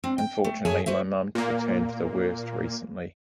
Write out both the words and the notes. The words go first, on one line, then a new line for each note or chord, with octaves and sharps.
Unfortunately my mum took a turn for the worse recently.
C4 D4
G5
A3
F#2 G#4 C#5 E5 G#5 A5
E3 F#4 C5 E5
A#2 A#3